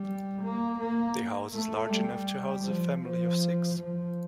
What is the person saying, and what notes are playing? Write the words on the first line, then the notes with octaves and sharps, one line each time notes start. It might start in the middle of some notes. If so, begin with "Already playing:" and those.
The house is large enough to house a family of six.
Already playing: G3
A#3
A#3
A3
G3
F3
F3
F3